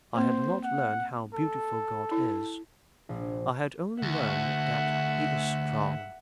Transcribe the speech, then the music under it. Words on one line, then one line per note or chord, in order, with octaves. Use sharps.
I had not learned how beautiful God is; I had only learned that he is strong.
A#3 C4 C5
F#5
A4
E4
A#1
D2 E5 F#5